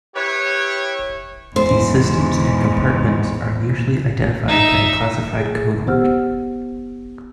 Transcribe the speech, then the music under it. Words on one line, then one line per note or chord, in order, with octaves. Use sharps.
These systems and compartments are usually identified by a classified codeword.
E4 G4 B4 C#5
E2 G#2 C5
D#4 E5
G#4
B3 G4 C5 F#5 E6 F6